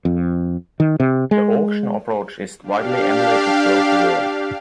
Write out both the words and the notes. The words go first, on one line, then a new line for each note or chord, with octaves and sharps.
The auction approach is widely emulated throughout the world.
F2
D#3
C3
G#3
D4 G4 F5